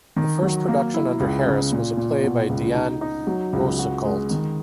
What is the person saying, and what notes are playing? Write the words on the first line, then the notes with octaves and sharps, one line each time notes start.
The first production under Harris was a play by Dion Boucicault.
D#3
F#3
A#3
E4
C#2
C#3
A#2
A#2
B2
C#2
D#4
D#4
F#3
C#2
F#4
G#3
D#3